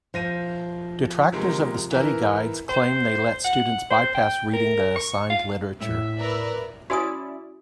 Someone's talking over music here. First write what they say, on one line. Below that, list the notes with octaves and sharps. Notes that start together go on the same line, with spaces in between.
Detractors of the study guides claim they let students bypass reading the assigned literature.
F3 C5 A#6 D#7
C3 D#3 G#3
E3 E4 A#4
C5
F#5
C5
G5
A#4
C#6
F5
A2 E5 E6
A#4 B4 D5
C#4 E4 F#4 D5 G#5 D#6